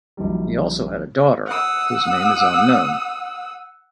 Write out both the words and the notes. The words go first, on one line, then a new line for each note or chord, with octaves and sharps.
He also had a daughter, whose name is unknown.
A#1 D#3 F#3 G3
F#5 D#6 E6